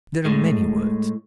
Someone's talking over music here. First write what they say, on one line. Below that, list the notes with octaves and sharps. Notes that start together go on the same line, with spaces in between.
There are many words.
A2 G#3